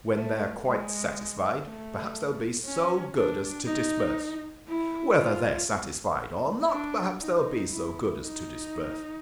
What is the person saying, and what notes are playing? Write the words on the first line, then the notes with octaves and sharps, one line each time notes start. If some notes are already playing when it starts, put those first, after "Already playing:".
When they’re quite satisfied, perhaps they’ll be so good as to disperse; whether they’re satisfied or not, perhaps they’ll be so good as to disperse.
A3
G#3
A3
C#4
D4
D#4
E4
F4
D4
D#4
E4
D#4